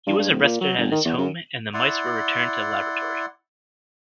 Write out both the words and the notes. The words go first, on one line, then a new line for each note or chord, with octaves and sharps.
He was arrested at his home and the mice were returned to the laboratory.
G2
G2
D1
A#2
F#3
G1
D#3
E2
F#2
E4 D5 F#5 C6